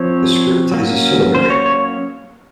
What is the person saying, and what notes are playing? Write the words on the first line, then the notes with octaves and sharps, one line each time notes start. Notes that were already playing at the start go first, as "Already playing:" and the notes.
The script is a syllabary.
Already playing: F3 C4 C#5
F#3 A#3 C#4
C5
C#5
C#5